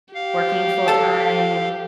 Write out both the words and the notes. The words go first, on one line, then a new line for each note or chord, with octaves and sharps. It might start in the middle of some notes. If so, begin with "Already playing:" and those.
working full time
G4 F5
A4 A5